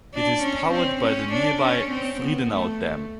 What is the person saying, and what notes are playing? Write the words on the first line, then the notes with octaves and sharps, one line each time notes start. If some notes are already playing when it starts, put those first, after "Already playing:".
It is powered by the nearby Friedenau Dam.
D4
C#4
C4
C#4
D4
C#4
C4
B3
A3